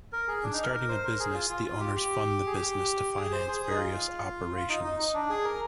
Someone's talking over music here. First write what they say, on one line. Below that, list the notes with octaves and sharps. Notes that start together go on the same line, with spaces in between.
When starting a business, the owners fund the business to finance various operations.
A#4
G#4
D4
D#4
A#4
A#4
C5
A#4
G#4
F4
F4
F4
G4
G4
G#4
G4
G#4
C5
G#4
G#4
D#4
F4
F4
D#4
D#4
D#4
D4
G#4
A#4